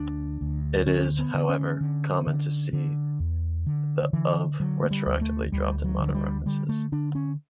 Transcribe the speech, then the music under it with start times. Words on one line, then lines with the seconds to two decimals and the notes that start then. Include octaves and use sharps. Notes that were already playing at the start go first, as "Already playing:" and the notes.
It is, however, common to see the "of" retroactively dropped in modern references.
Already playing: D2 D4
0.41 D2
0.87 D3 C#4
1.19 B3
1.34 D3
1.49 C#4
1.81 D3
2.27 D3
2.73 D3
3.20 E2
3.66 D3
4.13 D3 E3
4.60 D3 F#3
4.83 A3
4.91 G3
5.06 D2
5.21 A3
5.52 D2 G3
5.84 F#3
5.99 D3
6.07 F#3
6.15 G3
6.46 D3 G3
6.69 A3
6.92 D3 D4
7.15 C#4